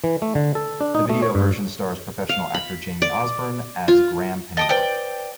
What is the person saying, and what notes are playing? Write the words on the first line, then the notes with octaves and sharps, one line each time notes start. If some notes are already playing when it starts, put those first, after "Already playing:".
The video version stars professional actor Jamie Osborn as Graham Pennyworth.
E3
A3
D3
A4
D4
D#4
A3
C#5
G2
F5
B5
D5
F4
D#5 G5 A5 D#6 A6
B4 C5 D5 G5 G7